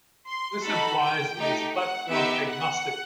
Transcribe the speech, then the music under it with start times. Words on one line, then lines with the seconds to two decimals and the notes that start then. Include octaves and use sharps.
This implies it is platform agnostic.
0.28 C6
0.64 D#4 F#4 A4 B5
1.01 G5
1.38 A3 D#4 G4
1.74 F#5
2.11 B3 D#4 G4 E5
2.48 F#5